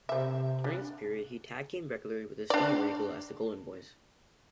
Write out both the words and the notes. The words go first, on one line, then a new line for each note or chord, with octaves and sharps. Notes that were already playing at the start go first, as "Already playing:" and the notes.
During this period, he tag teamed regularly with Steve Regal as The Golden Boys.
C3 C5 E5
D4
D4 D5